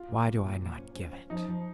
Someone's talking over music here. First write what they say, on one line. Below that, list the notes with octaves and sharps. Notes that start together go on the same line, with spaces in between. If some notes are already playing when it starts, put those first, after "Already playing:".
Why do I not give it?
Already playing: F4
A#2
G3
A#2
A#2
C#4
C#4
C#4
F3 D#4
F3